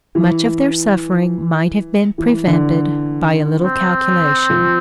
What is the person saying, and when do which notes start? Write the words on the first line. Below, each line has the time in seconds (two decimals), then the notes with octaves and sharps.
Much of their suffering might have been prevented by a little calculation.
0.15 E3
2.18 E3
2.47 D3
3.63 C4
4.50 F3